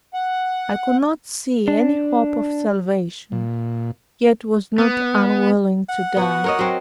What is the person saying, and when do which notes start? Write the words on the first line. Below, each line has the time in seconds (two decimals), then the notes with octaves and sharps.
I could not see any hope of salvation, yet was not unwilling to die.
0.14 F#5
1.68 D4
3.32 A#2
4.78 B3
5.89 F#5
6.17 B3 F#4
6.44 A#4 C#5 D#5
6.59 F#3 C4